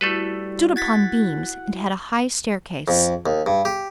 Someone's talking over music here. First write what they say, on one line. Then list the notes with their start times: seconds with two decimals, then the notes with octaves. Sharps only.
It stood upon beams, and had a high staircase.
0.01 G3 A3 E4 F#4 A4 B4
0.76 F#5 G#6 A6 B6
2.88 F2
3.26 D#2
3.46 G2
3.65 G4